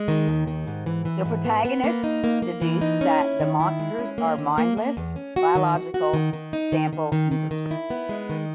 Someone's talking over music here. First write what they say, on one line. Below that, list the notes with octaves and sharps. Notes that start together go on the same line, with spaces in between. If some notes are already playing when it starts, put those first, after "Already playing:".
The protagonists deduce that the monsters are mindless biological-sample eaters.
Already playing: G#3
D#3
D#2
D#3
G#2
E3
E3
G#2
B3
B3
A#3
D#4
A#3
A#3
E3
D#4
C#4
E4
D#3
E4
G#3
C#4
A#3
D#3
A#3
A#3
E2
C#4
F#4
D#3
F#4
F#4
D#3
D#3
D#4
D#3
D#3
D#3
D#3
D#3
E4
B3
G#3
D#3